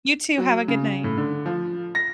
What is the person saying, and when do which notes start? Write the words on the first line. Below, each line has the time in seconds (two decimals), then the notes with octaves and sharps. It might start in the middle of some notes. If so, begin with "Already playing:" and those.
You too. Have a good night.
0.38 F#3
0.68 C#3
1.04 A2
1.17 D3
1.46 F3
1.95 A#6